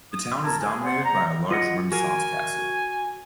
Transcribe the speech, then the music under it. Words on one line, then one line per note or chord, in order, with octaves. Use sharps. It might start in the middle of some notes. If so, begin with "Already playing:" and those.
The town is dominated by a large Renaissance castle.
D#6
A#4 A5 G#6
G#4
C5 D5 F#5
A#5
F4 D#5 F#5
F#4 A#4 G#5